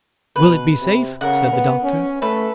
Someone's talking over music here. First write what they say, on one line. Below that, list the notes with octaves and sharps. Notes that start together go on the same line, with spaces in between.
"Will it be safe?" said the doctor.
B2 B4
C3
C#3 A#4 F#5
B3
C#4
A3 A4 B4